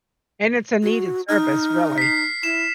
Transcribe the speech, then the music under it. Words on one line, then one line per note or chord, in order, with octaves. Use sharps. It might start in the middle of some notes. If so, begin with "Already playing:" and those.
And it's a needed service, really.
F#4
D#4 F6
B6 C7
E4 E7